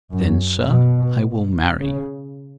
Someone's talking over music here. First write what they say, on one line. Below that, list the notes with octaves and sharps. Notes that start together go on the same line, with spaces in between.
"Then, sir, I will marry you."
F#2
B2
C#3